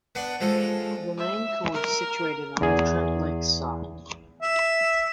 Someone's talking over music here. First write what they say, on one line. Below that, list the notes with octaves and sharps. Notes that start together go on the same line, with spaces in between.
The main core is situated on the Trent Lakes side.
B3 D4 F#5
F3 G#3 A4
E5
A#4
E2 G#4
E5